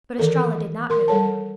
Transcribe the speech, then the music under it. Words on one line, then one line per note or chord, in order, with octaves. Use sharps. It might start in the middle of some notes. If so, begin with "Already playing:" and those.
But Estralla did not move.
D#3 E3 A4 A#4
A#4 C6
G3 A4 C#5 A5